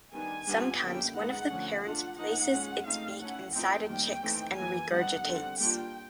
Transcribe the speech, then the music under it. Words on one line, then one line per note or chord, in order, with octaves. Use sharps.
Sometimes, one of the parents places its beak inside a chick’s and regurgitates.
D#3 G3 B3 D4 G#5
G3 B3 D4 F4
D3 G3 A#3 C#4 E4 G5
G#3 B3 D#4 F#5
D3 F3 A3 C#4
A3 D4 F4 F#5
F3 A#3 D#4 F#5
G#3 C#4 F4
A3 C4 D#4 F5
A3 C#4 E4 F#5
F3 A3 C4 D#4 G5
D#3 G3 A#3 G5
E3 A3 C4 D#4
E3 G3 A#3 G#5
D#3 G3 B3 D4 F#5
D3 G3 C4
G3 A#3 D4 F4 G5